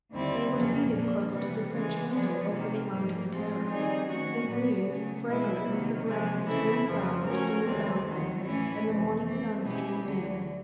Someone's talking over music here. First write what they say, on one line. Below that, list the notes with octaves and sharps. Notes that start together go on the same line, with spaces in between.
They were seated close to the French window opening on to the terrace; the breeze, fragrant with the breath of spring flowers, blew about them, and the morning sun streamed in.
D#2 D3 G3 C4 E4
F2 C#3 F#3 A#3
A#2 F3 A#3 D4
C3 E3 G3 B3
C#3 E3 G#3
F3 G#3 B3 D4
C3 D#3 F#3 A#3
G#2 F3 A#3
A2 F3 G#3 C4 F4
D#3 G3 C4 D#4 G#4
D#3 F#3 A3 C#4 F#4
A#2 F#3 B3
C#3 F#3 A3
E2 B2 G#3 B3 E4
C3 D#3 F#3 A#3
C3 F3 G#3
C#3 E3 A3 C4 E4
F2 C#3 F3
F3 A3 C#4 F#4 A#4
D2 C3 E3 G#3 C4
D#2 D#3 F#3
A2 E3 A3 C#4 E4
F2 C3 E3
E3 A3 C4
B2 G#3 C#4 E4 G4
D2 D3 F#3